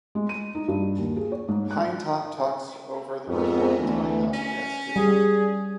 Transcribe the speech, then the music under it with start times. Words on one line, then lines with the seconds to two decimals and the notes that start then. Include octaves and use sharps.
Pine Top talks over the recording, telling how to dance to the number.
0.15 G#3
0.29 D#7
0.55 D#4
0.68 G2
0.98 D#2
1.17 G#4
1.32 C#5
1.48 G#2
1.71 F#6
3.28 F2 G#2 B3 A#4 E5
3.79 D2 E3 A3
4.33 C#4
4.96 G3 G#4